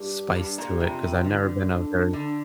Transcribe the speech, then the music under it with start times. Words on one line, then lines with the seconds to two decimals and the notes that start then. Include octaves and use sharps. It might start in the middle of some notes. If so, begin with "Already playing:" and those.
spice to it 'cause I've never been a very
Already playing: G2 G4
0.35 G2
0.58 A#2
0.67 G4
0.80 C3 F4
1.02 C3
1.24 D3
1.69 D4
2.13 D3